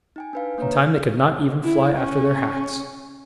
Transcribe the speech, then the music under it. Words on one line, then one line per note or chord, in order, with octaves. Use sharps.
In time they could not even fly after their hats.
D#4 G5 G#5
D4 B4 F5
A#3 D4 B4 C#5 A#5
E4
C#4